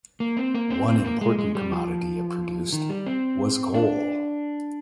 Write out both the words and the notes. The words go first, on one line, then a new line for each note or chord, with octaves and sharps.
One important commodity it produced was coal.
A#3
C4
A#3
C4
C4
A#3
G#3
G#3
G3
F3
D#3
G3
C4
D4